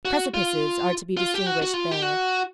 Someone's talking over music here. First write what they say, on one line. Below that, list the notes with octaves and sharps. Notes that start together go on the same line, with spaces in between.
Precipices are to be distinguished there.
F#4
F4
F4
G4
F#4
F#4
F4
G4
F#4